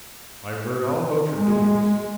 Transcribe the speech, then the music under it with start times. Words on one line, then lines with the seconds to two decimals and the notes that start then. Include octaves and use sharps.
I've heard all about your doings.
1.37 G#3